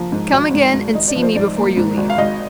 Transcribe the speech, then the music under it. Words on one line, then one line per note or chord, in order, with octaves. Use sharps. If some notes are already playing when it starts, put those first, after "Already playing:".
Come again and see me before you leave.
Already playing: F3 A#3
G#2
G#1
G#2
G#2
G#1 D#5
D5
F3
C5
G#2 D5
A#3
G#2
G#1
F5
G#1 D#5